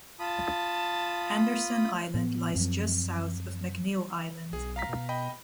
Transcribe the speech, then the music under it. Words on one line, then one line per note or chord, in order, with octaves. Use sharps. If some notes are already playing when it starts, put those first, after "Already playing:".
Anderson Island lies just south of McNeil Island.
F4 A5 B5 D#6
A2 B3
F#2 F3 C4
B1 G#4
F5 A#5 B6
B2
D#5 G5 B5